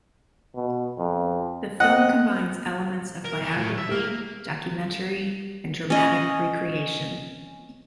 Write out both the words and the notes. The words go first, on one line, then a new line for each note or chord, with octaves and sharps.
The film combines elements of biography, documentary, and dramatic re-creation.
B2
F2
C4 D#5 F#5
A#4
E2
A2
E5
A#3
C#4 D#5